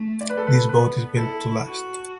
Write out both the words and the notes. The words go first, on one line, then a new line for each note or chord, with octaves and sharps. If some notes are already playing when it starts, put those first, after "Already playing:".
This boat is built to last.
Already playing: A3
D5
B4
A4
B4
B3 B4
E4 A4
F#4